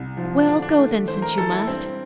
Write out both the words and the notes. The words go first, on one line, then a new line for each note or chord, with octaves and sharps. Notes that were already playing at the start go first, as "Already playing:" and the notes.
'Well, go then, since you must.
Already playing: C2
F3
D3 D4
D4
A3
E3 C5
A#4
E3 A4
E4
G2 C4